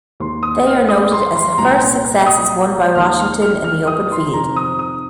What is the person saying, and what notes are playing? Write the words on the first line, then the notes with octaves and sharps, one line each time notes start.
They are noted as the first successes won by Washington in the open field.
D#2 D#3 C6
D#6
F6
D#6
C6
C6
C6
C2 A#2 A#5
D#6
D#2 D#3 F6
F6
F6
F6
D#6
C6
F2 C3 D#3 A#5
D#6
D#6